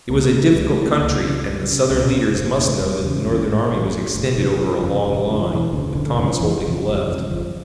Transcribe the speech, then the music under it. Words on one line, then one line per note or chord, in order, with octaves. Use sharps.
It was a difficult country and the Southern leaders must know that the Northern army was extended over a long line, with Thomas holding the left.
C#2 A#3
A#3
C#3
A3
C#2 G3
A3
C#3
A#3
C#2
C#3
C#2
C#3
C#2 C#4
C#3
F1 A#3
A#3
E2 C#3
A3
F1 G3
D4
E2 C#3
C#4
A1
A2
A1
A2
F1 A3
F2 C#3
F1 F3
F2 C#3
E1
D2 C#3
F3
E1 E3
D2 C#3 D3
F1 D3
D3
F2 C#3 E3
F3
F1 E3
E3
C#3
F2 F3
G1 G3
F2 C#3
G1 F3